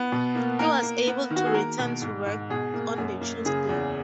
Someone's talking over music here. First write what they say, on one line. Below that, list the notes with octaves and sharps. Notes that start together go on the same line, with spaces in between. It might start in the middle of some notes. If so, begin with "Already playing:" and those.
He was able to return to work on the Tuesday.
Already playing: B3
B2
A#3
A#3 A#4
A#3
B3
D#3
F#4
G#4
A#3 A#4
B2
G#2
G#2
B2 G#4
A#3
F#2
A#3
C#3 G#4
E2